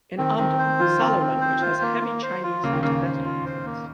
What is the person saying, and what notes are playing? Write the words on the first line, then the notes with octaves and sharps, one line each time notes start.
In Amdo, Salar language has heavy Chinese and Tibetan influence.
D#3 C4
D#3 C4
C5
F3 F4
D#3 C4
C4
C5
F4
A#3
A#3
C5
F4
C#3 A#3
D#3
C#3 A#3
C5
F4
C5
A#3